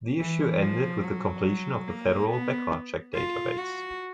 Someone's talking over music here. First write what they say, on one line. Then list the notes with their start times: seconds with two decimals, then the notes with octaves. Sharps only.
The issue ended with the completion of the federal background check database.
0.19 E3
0.62 F3
1.04 F#3
1.87 A#3
2.30 B3
3.14 F4
3.58 F#4